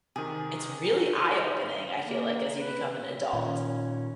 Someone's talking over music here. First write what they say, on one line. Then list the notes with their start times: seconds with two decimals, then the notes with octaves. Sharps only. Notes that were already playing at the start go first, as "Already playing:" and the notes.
it's really eye-opening, I feel like, as you become an adult
0.16 C3 D#3 G#4
2.06 A#3
2.60 B4
3.33 A#2 D#3 C#4